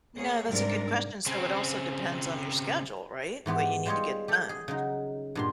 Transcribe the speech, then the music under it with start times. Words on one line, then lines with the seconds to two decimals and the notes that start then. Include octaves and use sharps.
No, that's a good question, so it also depends on your schedule, right? What you need to get done,
0.17 A#3 G#4 C#5
0.49 G#2 C3 G3 D4 A#4 D5
1.26 C#3 C4
3.46 G#2 E3 B3 G4
3.85 G3 G#3 F4 G4 G#4 C#5
4.28 G4 A4
4.49 G#4
4.68 C#3 F#3 D#4
5.35 G2 A#2 C6